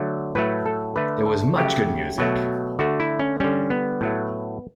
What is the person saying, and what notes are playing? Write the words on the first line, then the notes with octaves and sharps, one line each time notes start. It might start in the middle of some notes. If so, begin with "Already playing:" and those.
There was much good music.
Already playing: D3 F#3 A3
A2 F#3 A3 B4
A4
D3 A3 B4
A4
C#3 F#3 A3 G4
B2 F#3 A3
D3 A3 F#4
E4
C#4
D3 G3 C#4
B3
A2 F#3 A3